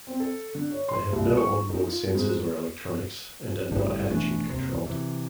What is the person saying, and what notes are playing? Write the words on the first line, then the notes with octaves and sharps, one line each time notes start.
They have no on-board sensors or electronics, and are not attitude-controlled.
C4
A4
D3
C#5
C6
C2
C#6
D#4
F4
G#2
G#1 A2 D3 G3
E1 E3 A3 D4
D#2 C3
E2
C3 E3